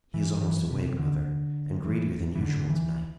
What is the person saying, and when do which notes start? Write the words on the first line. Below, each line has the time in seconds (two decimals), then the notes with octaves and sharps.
"He is almost awake, mother; and greedier than usual to-night."
0.14 E3
0.41 E3
0.71 C3
0.99 D3
1.85 E3
2.35 E3
2.41 D3
2.60 D3
2.69 E3